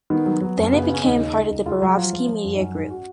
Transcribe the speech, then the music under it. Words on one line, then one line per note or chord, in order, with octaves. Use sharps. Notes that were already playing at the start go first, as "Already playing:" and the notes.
Then it became part of the "Berezovsky Media Group".
D#3 B3
F#3
F#3
F#2
C#4
C#3 B3
C#3 B3
C#4
D#2 D#4
C#3
C#2
C#2
C#2 F4
F#3
F3 F4
F3
F3
F#2
D#4
F#3 C#4
G#2
F#4